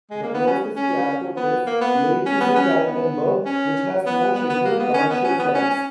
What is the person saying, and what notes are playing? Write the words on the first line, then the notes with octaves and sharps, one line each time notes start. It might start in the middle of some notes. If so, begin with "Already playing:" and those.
The closest airport is Leipzig-Altenburg, which has no scheduled commercial flights.
G#3
A#3
B3
C#4
C#4
B3
A#3
B3
C#4
B3
C#4
B3
C#4
B3
B3
B3
A#3
B3
C#4
B3
C#4
B3
C#4
C#4